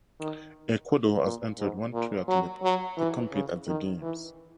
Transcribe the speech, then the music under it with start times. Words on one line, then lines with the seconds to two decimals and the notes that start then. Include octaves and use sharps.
Ecuador has entered one triathlete to compete at the Games.
0.20 D#3
1.24 A#2
1.59 G#2
1.94 A#2
2.28 F#3
2.63 F#3
2.97 E3
3.33 C#3
3.67 D#3
4.02 E3